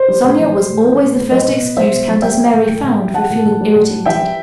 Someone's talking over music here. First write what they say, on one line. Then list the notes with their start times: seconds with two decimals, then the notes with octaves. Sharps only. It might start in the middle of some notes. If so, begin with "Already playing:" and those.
Sonya was always the first excuse Countess Mary found for feeling irritated.
Already playing: C5
0.08 G3
0.24 A2
0.39 E3
0.54 G3
0.70 A2
0.85 E3
1.00 A2
1.16 A2
1.31 F#3 B4 D#5
1.46 B2
1.61 B2
1.76 F#3 C5 E5
1.92 B2
2.07 F#3
2.22 G3 E5 G5
2.38 G3
2.53 A2
2.69 A2
2.84 A2
2.99 G3
3.14 G3 F#5 A5
3.30 A2
3.45 A2
3.60 G3
3.76 A2
3.91 G3
4.06 E3 E5 G5
4.22 G3